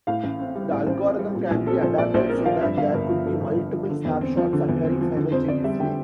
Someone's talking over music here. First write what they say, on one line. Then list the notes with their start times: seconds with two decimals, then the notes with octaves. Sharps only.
The algorithm can be adapted so that there could be multiple snapshots occurring simultaneously.
0.07 A2 F5
0.24 A1
0.40 C4
0.55 G3
0.71 A2 D5
0.86 A1 C5
1.03 C4
1.19 G3
1.35 A#2
1.51 A#1
1.66 C4 A4
1.82 F3 C5
1.98 A#2 D5
2.14 A#1 C5
2.30 C4 A#4
2.45 F3 F5
2.61 G2 E5
2.77 G1 F5
2.93 G1 A#4
3.10 F3
3.25 G2 A4
3.41 G1
3.57 G1
3.73 F3
3.89 D3
4.05 E2
4.21 C4
4.37 F3
4.53 D3
4.69 E2
4.85 C4
5.01 F3
5.17 D3
5.32 F2 C5
5.48 F2 D5
5.64 G3 E5
5.80 D3 G5